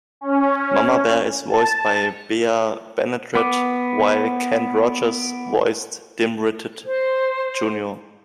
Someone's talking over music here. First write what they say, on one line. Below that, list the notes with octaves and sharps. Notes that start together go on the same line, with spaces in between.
Mama Bear is voiced by Bea Benaderet, while Kent Rogers voiced dim-witted Junior.
C#4
A5
B3 D6
C5